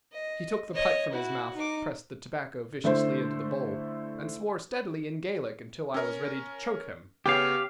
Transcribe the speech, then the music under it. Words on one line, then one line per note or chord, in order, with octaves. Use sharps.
He took the pipe from his mouth, pressed the tobacco viciously into the bowl, and swore steadily in Gaelic until I was ready to choke him.
D#5
C#5 D#5
E4 F#4
D#4 D6
D3 A3 E4 C5
C#4 A#4
C#3 B3 G4 C#5 F5